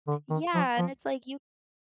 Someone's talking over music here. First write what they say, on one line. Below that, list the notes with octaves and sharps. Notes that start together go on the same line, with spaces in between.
Yeah, and it's, like, you
D3
D#3
F3
F3